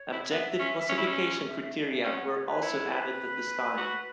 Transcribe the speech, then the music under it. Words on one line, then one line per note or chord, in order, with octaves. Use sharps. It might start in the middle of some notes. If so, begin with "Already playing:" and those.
Objective classification criteria were also added at this time.
Already playing: C#5
E4
B3 E5
C#4
C#4
E4
C#4
E5
E5
E5
C#4 F#5
F#5
C#5
B4
E4 C#5
B4
F#4